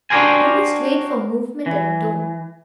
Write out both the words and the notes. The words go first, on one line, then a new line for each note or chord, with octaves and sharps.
You must wait for movement and tone.
D4 F#4 G4 A#4 C5 G#5
E3